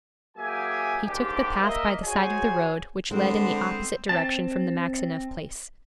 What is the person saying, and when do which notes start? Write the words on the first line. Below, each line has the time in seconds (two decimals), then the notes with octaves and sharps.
He took the path by the side of the road which led in the opposite direction from the Maxineff place.
0.37 F#3 A#3 G4 G#4 E5 G#5
1.05 D#2 G#2 D4 G4
1.62 A#3 D#5 E5
2.05 F#4 G#4 C5 C#5 G#5
3.11 D3 G#3 B3 C4 C5
4.09 C4 A5